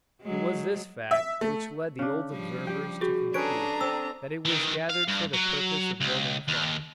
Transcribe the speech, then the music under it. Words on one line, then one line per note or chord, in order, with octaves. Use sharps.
It was this fact which led the old observers to conclude that it was gathered for the purpose of building comb.
F#3 G#3
E5
A3
C#3 D4
F3 G3
G4 G5
F#4 G#4
C#4 D4 G#4 A4 B4 C#5 A#5 D7
C4 E6
D#3 E3
F5
G2
F#3
C#2
D#2